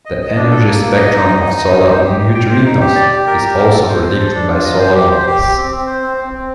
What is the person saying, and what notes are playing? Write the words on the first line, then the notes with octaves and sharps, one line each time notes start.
The energy spectrum of solar neutrinos is also predicted by solar models.
D#5
D#5
D4
A4
A#3
A#3
D#5
D#4
D#5
D#4
D#5
D#4
C5
G4
G4
G5
C5
D#4
G4
D5
G4
A#4
G4
A#4
A4
C5
C5
A4
D4
F4
D#5
C5
G4
C5
G4
G4
C4
C4
C5
C4
C4
C4